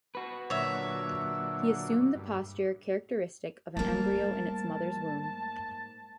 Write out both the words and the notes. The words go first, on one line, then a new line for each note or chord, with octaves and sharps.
He assumed the posture characteristic of an embryo in its mother's womb.
F#4 B4
A#2 D3 F#3 C#5 E5
G2
G#2 G3 A3 A#3 A5